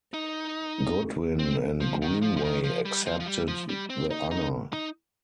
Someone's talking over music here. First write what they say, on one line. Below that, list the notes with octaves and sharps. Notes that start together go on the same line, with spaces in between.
Goodwyn and Greenway accepted the honour.
D#4
C4
F3
D#3
F3
F3
D#3
F3
G3
F3
F3
G3
F3
G3
C4
D#4
D#4
D#4